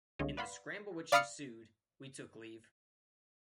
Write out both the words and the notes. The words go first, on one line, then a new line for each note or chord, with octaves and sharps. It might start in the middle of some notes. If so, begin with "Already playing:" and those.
In the scramble which ensued, we took leave.
C2 D3 G#3 F4 C#5 D#5
B4 D5 F5 F#5 B5 C6
D5 F5 B5 D#6 F6 C#7